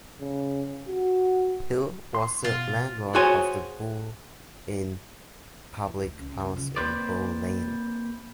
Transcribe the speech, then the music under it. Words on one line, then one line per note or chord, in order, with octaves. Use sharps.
Hill was the landlord of the Bull Inn public house in Bull Lane.
C#3
F#4
C6
B2 F4
F#4 G#4 C5 C#5 G#5
E4
D2
C#2
C#2
C#3 F4
A#3 C4 B4 C5 D5